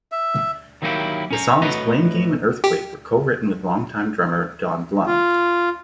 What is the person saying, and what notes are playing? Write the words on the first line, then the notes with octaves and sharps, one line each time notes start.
The songs "blame game" and "Earthquake" were co-written with longtime drummer Don Blum.
E5
D#3 F#3 A#3 C#4 E4 G4
C#4 A#5
A2 F#4 B4 D#5 A#5
G4
F4